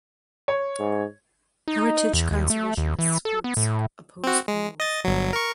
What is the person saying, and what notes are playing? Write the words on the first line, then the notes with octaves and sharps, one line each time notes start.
Heritage conservationists groups opposed the move.
C#5
G#2
D#4
E2
D#2
A3
D#2
E3
A4
B3
A2
C4 F#4
G#3
D#5 A6
G1 F#3
A#4 C#6